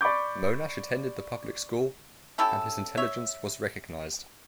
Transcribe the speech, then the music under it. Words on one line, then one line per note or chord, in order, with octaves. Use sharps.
Monash attended the public school and his intelligence was recognised.
D5 B5 C#6 D6 G6
C#4 E4 G4 A4
C#5 E5